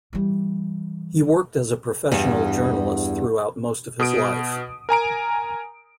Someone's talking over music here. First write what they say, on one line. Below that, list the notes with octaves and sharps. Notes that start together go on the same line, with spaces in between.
He worked as a professional journalist throughout most of his life.
E3 G3
E2 G2
B2 D#6 D7
A#4 G#5 A#5 D7